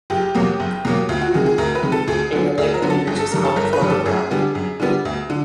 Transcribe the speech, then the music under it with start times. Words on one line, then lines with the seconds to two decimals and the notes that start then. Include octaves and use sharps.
A related image is called a phlebograph.
0.10 F#1 G4
0.35 E2 B2 F#3 A#3
0.60 F#1
0.85 E2 B2 F#3 A#3
1.09 D2 F4
1.21 F#4
1.34 C3 D#3 G#3 G#4
1.46 G#4
1.58 D2 A#4
1.75 B4
1.83 C3 D#3 G#3
1.92 A4
2.08 D2 G#4
2.33 D3 F#3 B3
2.58 D2 G#4
2.74 A#4
2.82 D3 F#3 B3
2.90 A4
3.07 G1 G#4
3.19 A4
3.31 G2 D#3 G3 A#4
3.45 A4
3.56 G1 A#4
3.73 B4
3.81 G2 D#3 G3
3.90 A4
4.06 F#2 G#4
4.31 D3 G3 B3
4.55 F#2
4.80 D3 G3 B3
5.05 D2
5.30 D3